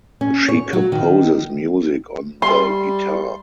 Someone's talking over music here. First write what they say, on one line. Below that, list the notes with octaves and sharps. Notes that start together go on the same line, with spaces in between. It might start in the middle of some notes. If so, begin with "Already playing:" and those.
She composes music on the guitar.
C#4
C#5
F#3
D#3
G3 C6